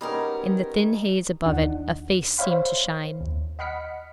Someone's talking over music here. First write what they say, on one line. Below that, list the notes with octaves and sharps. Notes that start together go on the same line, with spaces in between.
In the thin haze above it a face seemed to shine.
G3 G#3 B3 C#4 D#4 A#4
D#2 D#3 D4 D#4 F#5
C5 C#5 E5 F5 B5
D#2
D#5 F#5 B5 F6 B6 C#7